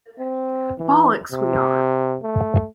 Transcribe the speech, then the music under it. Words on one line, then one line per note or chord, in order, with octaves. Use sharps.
Bollocks we are!
C4
E3
C3
A3